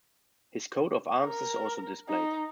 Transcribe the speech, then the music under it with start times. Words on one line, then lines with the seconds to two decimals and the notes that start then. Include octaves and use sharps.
His coat of arms is also displayed.
1.25 A#4
2.09 D#4